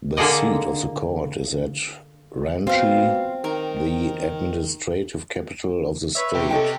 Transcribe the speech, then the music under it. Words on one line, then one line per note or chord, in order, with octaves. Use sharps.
The seat of the court is at Ranchi, the administrative capital of the state.
D3 A#3 G#4 A4 D5 D#5
B2 C4 F4 F5
D#3 A#4
B4 C#5 E5
C3 G4
A4 D#5 G5